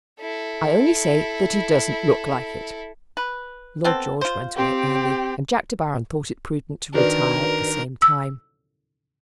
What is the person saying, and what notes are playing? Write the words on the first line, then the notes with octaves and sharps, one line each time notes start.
"I only say that he doesn't look like it." Lord George went away early, and Jack De Baron thought it prudent to retire at the same time.
E4 A4
B4
B3 C4 A4
F4 C5
C4 G4
D#3 D4 F#4 A#4 B4 D5
E6